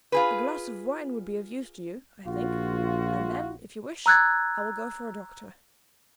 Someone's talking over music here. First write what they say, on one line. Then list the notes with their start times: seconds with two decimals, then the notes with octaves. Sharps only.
"A glass of wine would be of use to you, I think, and then, if you wish, I will go for a doctor."
0.12 F4 G#4 B4
2.26 A#1 F4 F#4
4.06 A#5 E6 F#6 G#6 A6